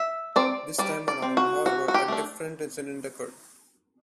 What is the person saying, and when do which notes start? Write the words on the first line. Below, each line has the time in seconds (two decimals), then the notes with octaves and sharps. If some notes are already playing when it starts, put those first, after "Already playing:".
This time around, however, a different incident occurred.
Already playing: E5
0.36 C4 D5
0.78 G3 D5
1.08 D5
1.22 C4
1.37 F#4
1.65 E3 F#4
1.88 F#4
1.94 G4
2.08 A3 D4